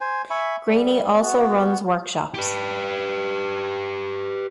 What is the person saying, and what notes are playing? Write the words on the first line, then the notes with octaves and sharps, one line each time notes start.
Greaney also runs workshops.
C5 G#5
E5 G#5 B5 C#6
G3
B3 F#4
G4 B4